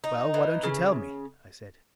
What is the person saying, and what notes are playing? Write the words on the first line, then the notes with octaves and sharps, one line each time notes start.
"Well, why don't you tell me?" I said.
D#4
E3
C#3